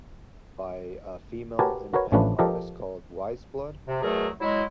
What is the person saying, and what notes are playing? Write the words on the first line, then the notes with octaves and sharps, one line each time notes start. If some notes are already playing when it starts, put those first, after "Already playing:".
by a female, independent artist called Weyes Blood.
F#4 G4 A#4 B4 G#5 A5
F#4 A#4 B4 C#5
A1 F3 A3 C#4 D4 B4
F3 G4 A4 A#4 D#5
C3
E2 B2 F#3 A3 G#4 A#4
F#3 G#3 E4